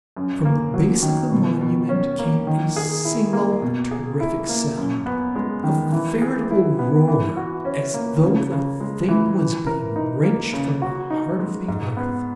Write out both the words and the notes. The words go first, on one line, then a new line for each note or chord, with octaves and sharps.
From the base of the monument came a single terrific sound, a veritable roar, as though the thing was being wrenched from the heart of the earth.
F#2
A#3
F#3
D#3
B2
B2
C#4
A#3
D#3
G#4
E4
A#3
B2
G#4
E4
A#3
F#2
B3
G#3
D#3
E3
G#4
E4
B3
E3
F#4
C#4
A#3
C#3
C#3
G#3
E3
E3
A#4
D#4
A#3
C#3
F#4
D#4
G#3
G#2
B3